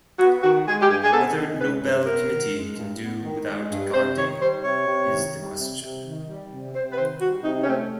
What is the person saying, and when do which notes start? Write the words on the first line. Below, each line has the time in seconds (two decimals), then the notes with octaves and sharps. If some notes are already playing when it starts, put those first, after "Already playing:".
Whether Nobel committee can do without Gandhi is the question.
0.19 B3 F#4
0.42 D#3 F#4
0.66 G#3 G#4
0.81 G4
0.89 G2 G#4
1.03 G#4
1.12 B3 A4
1.35 D#3
1.59 G#3 B4
1.82 G2 B4
2.05 B3 A#4
2.29 D#3
2.53 G#3
2.76 G2
2.99 B3
3.23 D#3
3.46 G#3
3.70 G2
3.93 C3 C5
4.16 D#3 C#5
4.39 G3 C5
4.63 C3 C#5
4.87 C3
5.10 D#3
5.34 G3
5.57 C3
5.81 C3
6.04 D#3
6.26 G3
6.50 C3
6.74 C3 C5
6.92 B4
6.96 D#3 C5
7.20 G3 F#4
7.43 C3 D#4
7.62 C#4
7.67 A3 C4